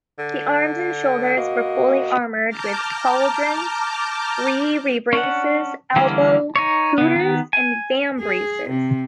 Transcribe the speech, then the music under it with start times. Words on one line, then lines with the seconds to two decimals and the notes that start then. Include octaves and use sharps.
The arms and shoulders were fully armoured with pauldrons, rerebraces, elbow couters and vambraces.
0.19 D3
1.37 A#3 F#4 D#5
2.49 A5 A#5 D6 F6 G6
5.13 C#4 D4 F#5
5.96 D3 E3 G3 A#3 C#4
6.56 D#4 C#5
6.98 C#3 B3
7.16 D#3 B3
7.53 G#5
8.20 G#4
8.70 C3